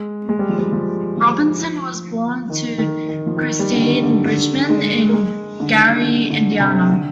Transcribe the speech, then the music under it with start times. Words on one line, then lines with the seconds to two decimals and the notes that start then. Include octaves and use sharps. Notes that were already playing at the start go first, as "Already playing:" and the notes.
Robinson was born to Christine Bridgeman in Gary, Indiana.
Already playing: G#3
0.29 G#3
0.39 G3
0.49 F3
0.58 G3
0.73 F3
1.17 F3
2.50 D#3
2.78 D#3
3.08 D#3
3.26 F3
3.37 D#3
3.59 G3
3.73 D3
3.81 D#3
4.03 D3
4.25 D3
4.70 G#3
5.09 A#3
5.13 G#3
5.60 D3
5.73 D#3
6.02 D3
6.30 D3
6.52 D3
6.60 C3
6.89 D3